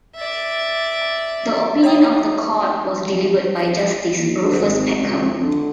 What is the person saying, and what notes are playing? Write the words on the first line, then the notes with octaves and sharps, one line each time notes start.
The opinion of the Court was delivered by Justice Rufus Peckham.
D5 E5
D#4 C#5 E5 G5 D#6
D#2
D2
G#1
C#2
F2
D3